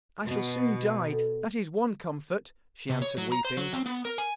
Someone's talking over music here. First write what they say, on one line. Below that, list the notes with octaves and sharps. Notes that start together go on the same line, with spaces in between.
'I shall soon die, that is one comfort,' she answered weeping.
B2
A4
C3
C#5
F#3
A#5
C5
F#3
C4
B3
A#4
G#5